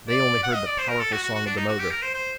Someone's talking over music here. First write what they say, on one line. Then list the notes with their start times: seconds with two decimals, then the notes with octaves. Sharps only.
They only heard the powerful song of the motor.
0.09 D5
0.43 F#5
0.55 D#5
0.67 D5
0.78 C5
0.89 A#4
1.00 A4
1.12 F#4
1.23 F#4
1.35 F#4
1.46 D4
1.57 D#4
1.68 F#4
1.80 G4
1.91 A#4
2.02 C5
2.14 C5